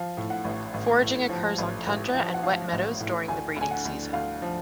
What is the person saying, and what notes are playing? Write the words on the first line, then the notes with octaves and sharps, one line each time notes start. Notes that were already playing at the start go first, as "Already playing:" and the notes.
Foraging occurs on tundra and wet meadows during the breeding season.
Already playing: F3 F5
A2
F#5
A1
A1
A2
F3
A1
A1
F3
F#5
F3 F5
A1
A2
D2 G#5
D2 G#5
F#5
D2
D2 F5
F3